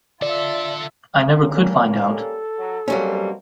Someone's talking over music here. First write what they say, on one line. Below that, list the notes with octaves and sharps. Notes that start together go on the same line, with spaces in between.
I never could find out.
D3 F4 A4 D5 E5
G3 A#3 C#4
A4
F#3
B2 F#3 G3 A#3 C4 C#4